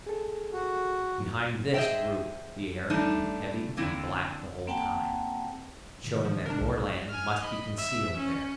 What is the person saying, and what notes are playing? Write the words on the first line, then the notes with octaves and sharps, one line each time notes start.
Behind this group the air had been heavy and black the whole time, showing that more land must be concealed there.
G#4 A4
F#4
G2 F#3
G#4 C5 D#5 E5 G5
G3 A3 D4 D#4
D3 A#3 C4 E4
A#3 C4 F#5 G5 A5
A2 C3 D#3
F3
C3 D4 A#4
B1
G#5 F6
D#5 B5
E5
C#4